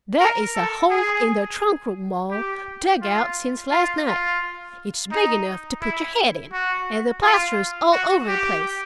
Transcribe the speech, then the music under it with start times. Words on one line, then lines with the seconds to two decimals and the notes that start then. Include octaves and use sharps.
"There is a hole in the trunk-room wall, dug out since last night. It's big enough to put your head in, and the plaster's all over the place."
0.20 A#4
0.56 A4
0.91 G#4
2.31 G4
3.02 F4
3.71 F4
4.07 F4
5.12 D#4
5.82 E4
6.53 F#4
7.23 F4
7.93 F#4
8.28 G4